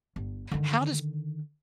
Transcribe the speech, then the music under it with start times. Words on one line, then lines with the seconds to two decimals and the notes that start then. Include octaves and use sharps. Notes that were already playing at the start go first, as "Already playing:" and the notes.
how does
0.16 G1
0.51 D3 D#3